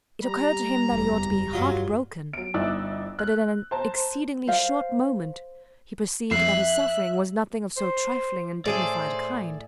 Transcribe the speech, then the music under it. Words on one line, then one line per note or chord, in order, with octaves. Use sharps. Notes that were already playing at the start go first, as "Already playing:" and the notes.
It occurred to him that he ought to be heart-broken; but in an exceedingly short moment he perceived that his suffering was nothing of so trifling and dignified a kind.
G3 A#5
F#1 E2
G2 F#3 F4
F#3 D7
G1 D#4 E4 D5 E6 F#6
F#6
C5 A5 A#5
C5 F5
F2 E5 F#6 C7
C5
A2 G#4 A4 C5 D5